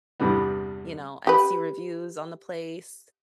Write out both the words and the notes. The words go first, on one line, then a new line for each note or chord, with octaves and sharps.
you know, and see reviews on the place,
E2 G2 C3 E3 G3 B3
G4 B4